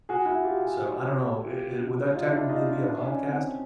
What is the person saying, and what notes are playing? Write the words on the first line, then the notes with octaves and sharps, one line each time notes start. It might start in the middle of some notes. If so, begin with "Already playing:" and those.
So I don't know, it it would that technically be a podcast?
F#4 G#4
E4 F#4
F4 G4
F#4 G#4
G#4
F4 G4
D#4 F4
D4 E4
D#4 F4
D#4 F4
D4 E4
D4
C#4 D#4
D#4
C4 D4